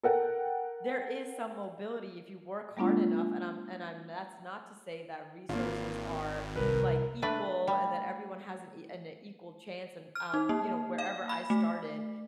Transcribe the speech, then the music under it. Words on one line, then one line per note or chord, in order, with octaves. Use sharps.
there is some mobility, if you work hard enough, and I'm and I'm that's not to say that resources are, like, equal and that everyone has an e an equal chance and, um, you know, wherever I started,
A4 A#4 F#5 G5
G3 A3 B3 D4 F4
G#1 A#3 F4
C2 A#4 B4
A3 D4 B4
G3
F6
D#4
A#3
F5
B5
A3